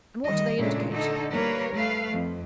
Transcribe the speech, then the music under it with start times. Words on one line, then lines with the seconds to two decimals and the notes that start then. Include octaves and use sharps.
"And what do they indicate?"
0.24 D#3 G3 D#5
0.58 A#2 C#3 G#3 A3 D4 E4
0.89 D3 A3 D#4 A4
1.32 G3 A#3 A#4 B4 C#5
1.73 A3 B4 F5
2.12 F2